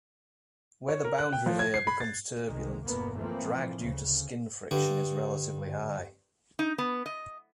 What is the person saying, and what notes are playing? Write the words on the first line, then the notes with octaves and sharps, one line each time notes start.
Where the boundary layer becomes turbulent, drag due to skin friction is relatively high.
C#5
A#4
F#6
G5
F3
G#6
C7
B5
A6
C2 D#3 G#3
G1 E2 B2 A#3 B3
E3 F3 A3 A#3 C4
D2 C#3
G2 D3 G3
D#4
B3
D#5